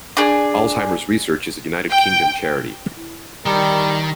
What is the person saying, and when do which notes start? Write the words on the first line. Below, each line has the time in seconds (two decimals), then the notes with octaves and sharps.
Alzheimer's Research is a United Kingdom charity.
0.17 D4 G#4
1.89 G5
3.46 D#3 G3 A#4